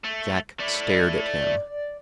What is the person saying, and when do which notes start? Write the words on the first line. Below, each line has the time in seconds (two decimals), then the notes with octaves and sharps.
Jack stared at him.
0.04 A3
0.60 A3 E4 D5